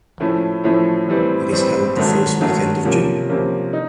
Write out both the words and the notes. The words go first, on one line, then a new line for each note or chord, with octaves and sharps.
It is held the first weekend of June.
A2 F3 A3 C#4 E4
A2 F3 A3 C#4 E4
A2 E3 G3 C4
A2 E3 G3 C4
G#2 D#3 F#3 A3 D4
G#2 D#3 F#3 A3 D4
C3 F3 A#3 C#4
C3 F3 A#3 C#4
D#4